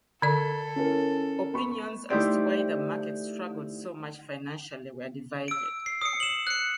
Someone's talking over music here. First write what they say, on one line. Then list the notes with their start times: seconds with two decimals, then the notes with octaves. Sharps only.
Opinions as to why the market struggled so much financially were divided.
0.22 D3 A4 D5
0.76 C#4 E4 A#4
1.53 B3 B5 C#6
2.10 A3 D#4 E4 G4 C5 D5
5.48 E6 D7
5.86 C7
6.02 D#6 C#7
6.20 E7 F#7
6.47 F#6 C#7